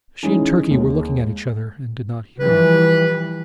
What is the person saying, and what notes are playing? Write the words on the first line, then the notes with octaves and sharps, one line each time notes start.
She and Turkey were looking at each other, and did not hear me.
E3 G#3 C#4 D#4
D#2 G#3
E3 F3 G3 B4